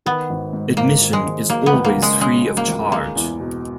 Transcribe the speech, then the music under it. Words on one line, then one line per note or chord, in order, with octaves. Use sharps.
Admission is always free of charge.
D#3 B3
G#1
G#2
G#1 A#3
D#3
G#3
G#1
F#3 A#3
B3
C#2
A#3
C#3
G#3
G#3 C#4
F#3
A#3
C#2
G#3 A#3
E2
B2